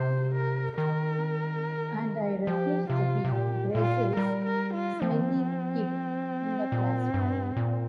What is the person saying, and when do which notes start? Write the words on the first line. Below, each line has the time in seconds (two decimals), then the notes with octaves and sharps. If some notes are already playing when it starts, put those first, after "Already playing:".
And I refuse to be Brazil's smelly kid in the classroom.
Already playing: C3 C5
0.35 A#4
0.78 D#3 A#4
2.47 F3 G4
2.90 C3 F4
3.25 C3
3.32 A#2 G4
3.74 A#2 F4
4.17 G3 A#4
4.46 A#4
4.74 F4
5.02 F3 C4
5.11 D#3
5.21 F3
6.72 A#2
7.14 G2
7.56 A#2